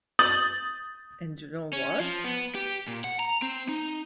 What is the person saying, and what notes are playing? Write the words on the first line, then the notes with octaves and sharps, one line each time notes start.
And you know what?
D#6 G6 A6 F#7
C#4
F3
B3
G4
A#2
F#5
A#5
C4
D#4